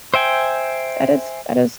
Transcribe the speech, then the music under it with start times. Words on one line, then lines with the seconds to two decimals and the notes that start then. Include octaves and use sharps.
That is that is
0.14 C5 E5 G5 G#5